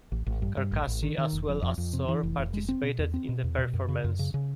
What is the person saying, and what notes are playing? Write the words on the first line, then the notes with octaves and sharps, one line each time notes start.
Carcassi, as well as Sor, participated in the performance.
A1
A1
G2
G2
A1
A1
D#3
D#3
F1
F2
F2
F2
C3
E3
F1
F1
G#3
C4
B2
E2
C4
B2
E2
B2
F#2
C#3
F#2
C#3
C#3